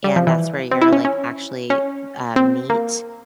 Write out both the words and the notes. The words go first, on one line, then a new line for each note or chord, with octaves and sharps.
and that's where you're, like, actually, uh, meat,
G3
F3
E3
C4
E4
C#4
C#4
C#4
C4
A#3